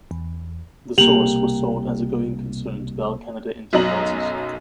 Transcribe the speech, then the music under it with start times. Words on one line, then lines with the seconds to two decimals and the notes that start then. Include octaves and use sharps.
"The Source" was sold as a going concern to Bell Canada Enterprises.
0.11 E2
0.98 C2 B2 A#3 G4 G5 F7 F#7
3.73 B1 F#2 F#3 D#5 A#5 F#7